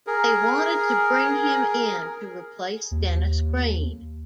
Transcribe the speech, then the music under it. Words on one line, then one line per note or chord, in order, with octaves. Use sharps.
They wanted to bring him in to replace Dennis Green.
G#4 A#4
D#2